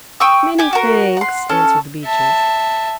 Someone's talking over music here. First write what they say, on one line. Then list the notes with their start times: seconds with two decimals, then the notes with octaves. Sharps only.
"Many thanks," answered the Beeches.
0.20 G5 C#6 D#6 E6
0.58 G4 G#5
0.73 F#4 A#4
1.17 F#5 C6
1.49 C#4 A4
2.05 E5 A5